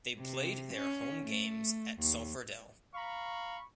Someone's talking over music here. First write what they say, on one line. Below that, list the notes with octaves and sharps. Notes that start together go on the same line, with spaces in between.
They played their home games at Sulphur Dell.
C3
C#4
A3
D#2
F5 A#5 B5 C#6